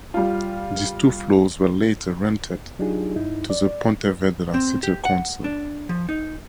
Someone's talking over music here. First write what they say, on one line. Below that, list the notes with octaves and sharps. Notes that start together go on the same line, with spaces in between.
These two floors were later rented to the Pontevedra City Council.
G3 F4
F#3 D4 D#4 F4 G4 G#4
G2 D#4 E4
D5
C4
G4
F#5
D4
F3
D#4